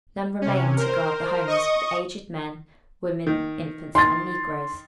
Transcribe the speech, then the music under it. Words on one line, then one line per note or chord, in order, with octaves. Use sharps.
None remained to guard the homes but aged men, women, infants and negroes.
C3 C#4
A#4 C5
D#5 C#6 D#6
D#3
D#3 C6 A6